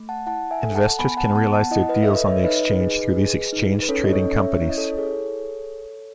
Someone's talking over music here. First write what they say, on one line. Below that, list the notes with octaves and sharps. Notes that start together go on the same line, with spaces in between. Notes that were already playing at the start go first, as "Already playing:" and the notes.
Investors can realize their deals on the exchange through these exchange-trading companies.
Already playing: A3
F#5 A5
E4 F#5 A5
E5 G#5
A4
F#5 A5
B3 G#5 B5
F#5 A5
B3 F#5 A5
F#5 A5
E4 D#5 F#5
B4 D#5
E5
A4 B4 D#5
C#5 E5
D#4 B4 D#5
G#4
G#4
D#4
B4
C#4 A4 C#5
D#5
A4 C#5
C#4
C#5 E5
E4 C#5
D#5
A4 C#5
G#4 A4 C#5